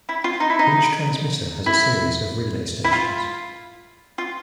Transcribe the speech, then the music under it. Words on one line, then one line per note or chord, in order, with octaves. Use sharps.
Each transmitter has a series of relay stations.
E4
F4
D#4
E4
D#4
E4
E4
F4
F4